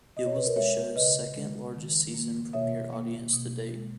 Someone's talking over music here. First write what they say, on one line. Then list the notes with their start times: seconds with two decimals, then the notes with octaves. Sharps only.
It was the show's second largest season premiere audience to date.
0.17 B2 D#5
0.26 C#5
0.36 B4
0.46 A#4 C#5
0.56 G#3 C#5 E5
0.96 C#3 B4 D#5
1.36 G#3
1.74 D#3
2.14 A#3
2.53 B2 C#5 E5
2.93 A#3
3.33 B2
3.72 G#3